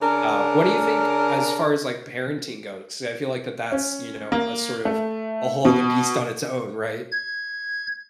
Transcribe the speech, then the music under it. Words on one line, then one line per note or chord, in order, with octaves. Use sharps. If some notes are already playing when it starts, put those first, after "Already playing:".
Uh, what do you think as far as, like, parenting goes, 'cause I feel like that that's, you know, a sort of a whole other beast on its own, right?
C#3 D4 A#4
C#4
A#3
A3
B2
G#6